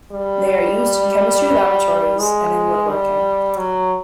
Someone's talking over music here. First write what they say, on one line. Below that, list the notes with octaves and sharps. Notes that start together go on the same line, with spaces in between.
They are used in chemistry laboratories and in woodworking.
G3
G#3
G3
F#3